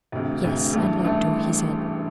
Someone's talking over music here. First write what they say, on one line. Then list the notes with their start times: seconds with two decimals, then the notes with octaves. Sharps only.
"Yes, I'd like to," he said.
0.12 E1 D2 C3
0.44 E1 D2 C3
0.73 A1 G2 E3 A3
1.04 A1 G2 E3 A3